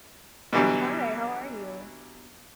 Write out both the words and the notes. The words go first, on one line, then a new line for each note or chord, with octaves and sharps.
Hi, how are you?
B2 D3 E3 F#3 G3